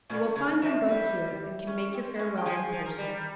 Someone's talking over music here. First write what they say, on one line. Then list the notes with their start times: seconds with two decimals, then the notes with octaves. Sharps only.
"You will find them both here, and can make your farewells in person."
0.10 A#2 C#4
0.36 C#3 C#4
0.62 F3 E4
0.88 G3
1.67 C#4
1.94 C4
2.16 E4
2.19 C#4
2.37 G4
2.46 F3 G#4
2.72 F3
2.86 A#4
2.98 G3